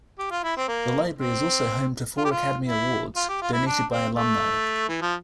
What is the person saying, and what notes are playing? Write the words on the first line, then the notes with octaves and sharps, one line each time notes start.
The library is also home to four Academy Awards, donated by alumni.
G4
F4
E4
C4
A#3
C4
F4
G4
F4
E4
F4
G4
F4
E4
D4
C4
A3
E3
F3